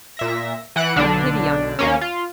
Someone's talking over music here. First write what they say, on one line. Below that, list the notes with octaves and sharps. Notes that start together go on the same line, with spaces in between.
Have pity on her.
A#2 E5 A#6
E3 F#5 F#6 D7
B1 D3 D4
D#2 A#3 C#4
F4